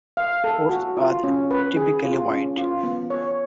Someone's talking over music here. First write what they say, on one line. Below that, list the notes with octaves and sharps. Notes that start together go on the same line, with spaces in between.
Courts are typically wide.
F5
A4
F#4
F4
C#4
B4
G#4
F4
C#4
F4
B3
C#5